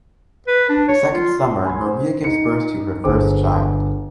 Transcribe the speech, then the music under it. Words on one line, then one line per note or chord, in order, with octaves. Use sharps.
The second summer Maria gives birth to her first child.
B4
D4
C#5
F4
G#5 B5 C6 G#6
C5
D#4 C#7
G1 G#4 A4 C5 D6